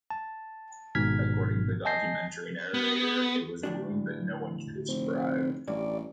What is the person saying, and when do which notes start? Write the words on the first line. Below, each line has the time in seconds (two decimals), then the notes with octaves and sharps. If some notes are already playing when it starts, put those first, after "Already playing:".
According to the documentary narrator, It was a wound no one could have survived.
0.10 A5
0.95 G#1 G#2 B2 F6 G#6 B6
1.85 D#5 G#5 A5 G6 A#6 C7
2.74 B3
3.63 D2 A2 D4
4.88 F1 C4
5.68 A1 G2 D5